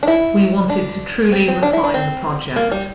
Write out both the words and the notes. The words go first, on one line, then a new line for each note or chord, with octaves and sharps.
We wanted to truly refine the project.
D4
E4
D4
C4
C4
D4
E4
D4
C4
A#3
G3